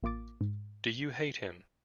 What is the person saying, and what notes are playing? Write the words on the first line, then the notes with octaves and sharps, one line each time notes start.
Do you hate him?
A1 A#3 F4 D6 A6
G#2